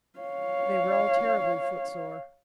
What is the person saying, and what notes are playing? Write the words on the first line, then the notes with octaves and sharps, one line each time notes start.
They were all terribly footsore.
C#5 F5